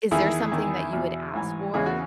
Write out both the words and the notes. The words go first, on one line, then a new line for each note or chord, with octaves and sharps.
is there something that you would ask for,
E2 D#3 E4 G#4
E2 D#3
E2 B2
A1 G#2 E3
E2 C#3 E3 G#4
F#4